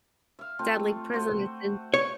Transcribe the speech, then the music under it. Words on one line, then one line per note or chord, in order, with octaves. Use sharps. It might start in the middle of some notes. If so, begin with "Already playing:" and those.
deadly prison is in
E5 F5
A3 C4 F4
A3 F#4 C5
C#5